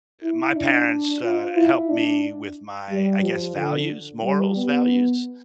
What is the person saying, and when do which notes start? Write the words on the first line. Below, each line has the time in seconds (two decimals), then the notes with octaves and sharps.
eh, my parents, uh, helped me with my, I guess, values, morals, values,
0.23 E4
0.56 D4
1.23 F4
1.56 E4
1.90 D4
2.90 G3
3.23 F3
3.56 D3
4.23 G3
4.56 B3